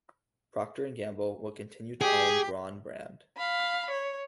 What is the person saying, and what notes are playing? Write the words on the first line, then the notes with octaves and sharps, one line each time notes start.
Procter and Gamble will continue to own the Braun brand.
G4 G#4
F5 B5
C#5